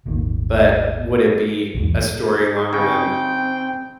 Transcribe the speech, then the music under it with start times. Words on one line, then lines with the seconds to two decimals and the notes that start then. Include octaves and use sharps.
but would it be a story longer than
0.06 D#1 G#1 D#3 A#3
1.74 B1 E2 G#2 G#3
2.73 C#3 C4 D#4 G5